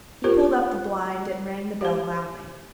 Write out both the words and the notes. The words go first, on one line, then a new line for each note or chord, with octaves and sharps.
He pulled up the blind and rang the bell loudly.
F4 G4 A#4 C5
G4 C5